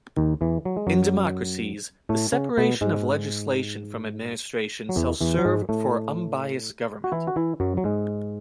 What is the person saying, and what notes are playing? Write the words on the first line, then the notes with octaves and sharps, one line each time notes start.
In democracies, the separation of legislation from administration shall serve for unbiased government.
D#2 D#3
E2 E3
F#3
G#3
F#2 F#3
A2 A3
C#3 C#4
B2 B3
G#2 G#3
F#3
E2 E3
E2 E3
F#3
G#2 G#3
A2 A3
F#4
E3 E4
F#4
E3 E4
F#2 F#3
F#3
G#2 G#3